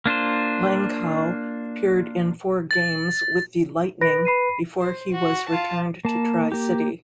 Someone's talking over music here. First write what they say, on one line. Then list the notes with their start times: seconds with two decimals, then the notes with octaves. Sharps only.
Langkow appeared in four games with the Lightning before he was returned to Tri-City.
0.06 A#3 D4 F4 C5
2.71 A6
4.01 B4 A#6 D7
4.25 B5 C7 D#7
4.80 C5
5.12 F#4
5.49 F4 A5
6.05 A#3 A5
6.52 A#3 G4